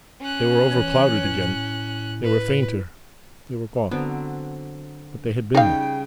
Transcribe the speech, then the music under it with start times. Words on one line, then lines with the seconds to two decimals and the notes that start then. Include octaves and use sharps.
They were overclouded again, they were fainter, they were gone; but they had been there.
0.21 C#4 F#6
0.71 E3 C#5
1.26 A2
2.23 B4
3.91 D3 F#3 B3 C4
5.55 C#3 G3 D#4 G#4 C#5 D5 F5 G5